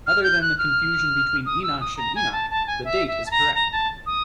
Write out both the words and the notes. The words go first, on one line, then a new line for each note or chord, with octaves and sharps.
Other than the confusion between Enosh and Enoch, the date is correct.
F6
G6
F#6
F6
D#6
E6
D#6
A#5
G#5
A5
A5
G#5
E5
E5
A5
A#5
A#5
A5
D#6